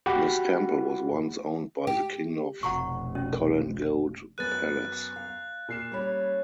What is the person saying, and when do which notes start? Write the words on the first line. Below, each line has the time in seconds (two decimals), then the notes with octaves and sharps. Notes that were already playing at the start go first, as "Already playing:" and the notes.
This temple was once owned by the king of Kollengode Palace.
0.06 F#4 G4 F#5 B5
1.87 G4
2.63 F1 B1 F#5 A#5 C#6
3.15 C#4
4.38 F#2 B3 F#6 A6 D#7
5.16 F5
5.69 A#2 C7 E7
5.92 G3 A#3 C#4 C#5 B5